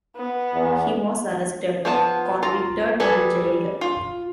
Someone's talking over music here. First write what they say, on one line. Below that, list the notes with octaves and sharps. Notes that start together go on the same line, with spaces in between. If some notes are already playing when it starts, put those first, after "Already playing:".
He was arrested, convicted, and jailed.
B3
E2
F3 B3 A5
F4 A#5
G3 G#4 A4 B4
F4